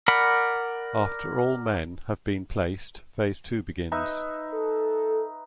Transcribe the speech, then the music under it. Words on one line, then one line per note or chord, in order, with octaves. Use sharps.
After all men have been placed, phase two begins.
A#4 D5 F#5 B5
D#4 B4 E5
A4